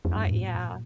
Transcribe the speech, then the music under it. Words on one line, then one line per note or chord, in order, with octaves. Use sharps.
Uh, yeah.
F2
G2
A2
A#2